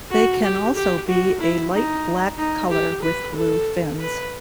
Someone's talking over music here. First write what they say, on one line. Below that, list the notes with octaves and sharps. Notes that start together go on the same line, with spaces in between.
They can also be a light black color with blue fins.
F#4
G4
G4
F#4
E4
D#4
D#4
G4
B4
A4
B4